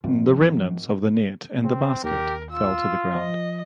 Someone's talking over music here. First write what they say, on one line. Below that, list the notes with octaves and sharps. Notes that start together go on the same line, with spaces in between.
The remnants of the net and the basket fell to the ground.
G#1 F3
C#3 C4
D#2 G4 A#4
F4 E6
F3 D#5